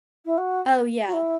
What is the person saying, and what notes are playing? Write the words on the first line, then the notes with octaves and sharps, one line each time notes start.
Oh, yeah.
E4
F#4
F#4
E4